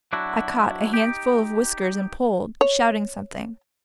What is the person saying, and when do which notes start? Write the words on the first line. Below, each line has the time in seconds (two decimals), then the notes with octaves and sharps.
I caught a handful of whiskers and pulled, shouting something.
0.13 F#3 D4 E4 F#4
0.94 D#4 G4
2.61 C#5